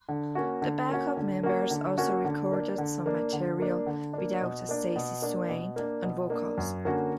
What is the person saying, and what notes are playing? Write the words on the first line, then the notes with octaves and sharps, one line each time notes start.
The backup members also recorded some material without Stacey Swain on vocals.
D3
A#3 C#4 F#4
D3
A#3 C#4 F#4
D3
A#3 C#4 F#4
D3
A#3 C#4 F#4
D3
A#3 D4
D3
A#3 D4
D3
A#3 D4
D3
A#3 D4
B2
A#3 D4
B2
A#3 D4
B2
A#3 D4
B2
A#3 D4
F#2
D3 A#3 C#4 F#4